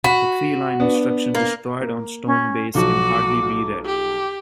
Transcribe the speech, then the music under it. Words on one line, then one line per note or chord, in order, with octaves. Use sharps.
The three-line instruction destroyed on stone base can hardly be read.
F#4 B5 B6
B3 D4
A#3
A#3
C#4
B1 F3 F#3 F#4 D6
G4